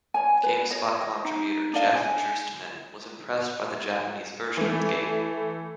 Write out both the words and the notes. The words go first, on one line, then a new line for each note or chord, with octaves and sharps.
GameSpot contributor Jeff Gerstmann was impressed by the Japanese version of the game.
C#5 G#5
B4
C#5 D#5
D#4
D4 D5 D#5 F5
G#5
E3 A3